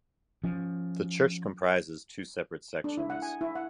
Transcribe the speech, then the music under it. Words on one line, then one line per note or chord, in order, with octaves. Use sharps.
The Church comprises two separate sections.
F3 C#4
D4
E4
F#5
G#5
E4
F#5